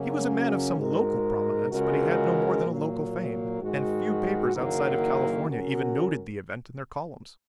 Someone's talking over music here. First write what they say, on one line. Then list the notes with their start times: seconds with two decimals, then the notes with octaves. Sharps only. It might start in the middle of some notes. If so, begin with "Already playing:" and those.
He was a man of some local prominence, but he had no more than a local fame, and few papers outside of California even noted the event in their columns.
Already playing: F#2 C#3 F#3 A#3 C#4
0.76 G#2 G#3 F#4 A#4
1.71 C#2 C#3 G#3 F#4 A#4
2.66 A#2 F#3 A#3
3.59 G#2 D#3 G#3 F#4
4.54 F#1 F#2 D#3 F#3 A#3
5.49 C#3 F#3 C#4 F#4 A#4